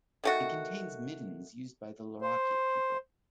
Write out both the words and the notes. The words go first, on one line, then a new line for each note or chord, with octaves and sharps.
It contains middens used by the Larrakia people.
D#3 A3 F#4
C5